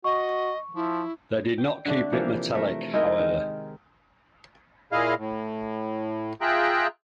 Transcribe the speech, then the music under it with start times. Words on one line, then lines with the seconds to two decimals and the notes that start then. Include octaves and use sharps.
They did not keep it metallic, however.
0.04 F#4 D#5 C#6
0.75 F3 E4
1.58 G5
1.85 D3 A3 D4
2.12 C3 E3 F3 A#3
2.55 A3 A#4
2.93 G#3 D#4 E4 A#4
3.19 D#3
4.92 A#2 E4 G#4 D#5 F5 F6
5.18 A2
6.41 F4 G#4 E5 G5 A#5 F#6